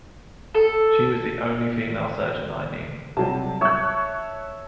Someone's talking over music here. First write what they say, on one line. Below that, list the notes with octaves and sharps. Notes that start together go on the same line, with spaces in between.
She was the only female surgeon that I knew.
A4
C3 F#3 G3 A5
C#5 E5 C#6 E6 F#6